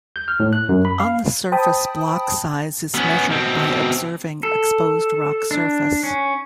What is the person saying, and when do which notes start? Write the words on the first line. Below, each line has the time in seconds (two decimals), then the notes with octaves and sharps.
On the surface block size is measured by observing exposed rock surface.
0.16 G6
0.28 F6
0.40 A2
0.53 F#6
0.69 F#2
0.85 B5
1.00 F5
1.52 C5 G5 A5 B5 D#6
2.95 B3 C#4
3.31 B2 C4
4.43 A4
5.51 D4
6.03 C#4